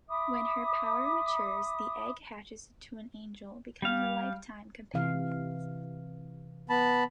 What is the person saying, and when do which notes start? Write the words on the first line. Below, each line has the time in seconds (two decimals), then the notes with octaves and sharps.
When her power matures, the egg hatches into an angel, becoming a lifetime companion.
0.08 E5 B5 D6 D#6
3.82 G3 F5
4.94 C3 E3 F5
6.70 B3 A5 B5